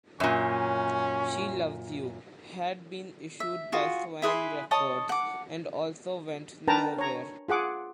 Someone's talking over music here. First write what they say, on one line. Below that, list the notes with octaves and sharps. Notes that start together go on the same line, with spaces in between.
"She Loves You" had been issued by Swan Records and also went nowhere.
F#2 A#2 C#4
E5
F4 F#4 G#4
E4 G#4 B4 C6
C#5 D#5 A5 D#6
F#5 D6
D4 A#4 B4 G5 A5 A#5
C#5 A#5
F4 G#4 F#5 D6